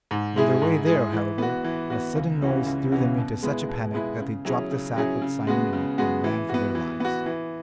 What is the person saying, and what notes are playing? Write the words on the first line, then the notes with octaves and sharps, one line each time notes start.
On their way there, however, a sudden noise threw them into such a panic that they dropped the sack with Simon in it and ran for their lives.
G#2
G#3 E4 G#4
G#2
G#3 E4 G#4
E3
B3 F#4
E3
B3 F#4
C#2
C#3 E3 C#4 F#4
C#2
C#3 E3 C#4 F#4
B2
G#3 B3 E4
B2
G#3 B3 E4
C#3
F#3 C#4 E4 G#4
C#3
F#3 C#4 E4 G#4
C#3
G#3 B3 F#4
C#3
G#3 B3 F#4
E3
B3 F#4
E3
B3 F#4
E3